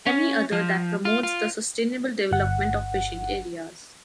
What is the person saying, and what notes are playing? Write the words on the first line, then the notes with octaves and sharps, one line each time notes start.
Any other that promotes the sustainable development of fishing areas.
C#4
F3
F4
F4
G1 F#5